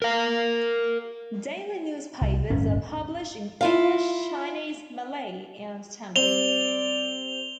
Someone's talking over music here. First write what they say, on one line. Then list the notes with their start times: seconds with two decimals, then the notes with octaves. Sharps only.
Daily newspapers are published in English, Chinese, Malay, and Tamil.
0.02 A#4 F5
2.21 C2
2.50 D1 G1 C#4
3.61 E4 F4 F5
6.16 G3 C4 D5 F7 G7